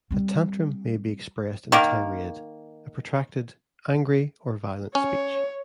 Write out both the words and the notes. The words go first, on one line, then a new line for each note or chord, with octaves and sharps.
A tantrum may be expressed in a tirade: a protracted, angry, or violent speech.
G3 C4
D#3 A#3
C#4 C#5